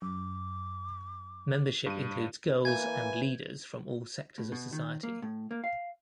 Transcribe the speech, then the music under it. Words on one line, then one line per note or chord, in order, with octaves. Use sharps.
Membership includes girls and leaders from all sectors of society.
F#2 D6
G2 D#7
E3 A#3 G#5 G6 G#6
A2
B2
D#3
A#3
A2
A#3
F5